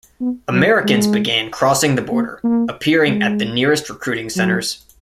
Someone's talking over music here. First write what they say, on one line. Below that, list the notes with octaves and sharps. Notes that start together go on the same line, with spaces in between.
Americans began crossing the border, appearing at the nearest recruiting centres.
B3
F#3
G#3
A#3
A#3
G#3
F#3